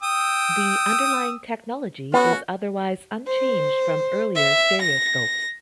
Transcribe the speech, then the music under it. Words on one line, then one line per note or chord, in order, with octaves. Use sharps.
The underlying technology is otherwise unchanged from earlier stereoscopes.
G5 D#6 E6
B3 C#4 F#4
C5
E5
A#6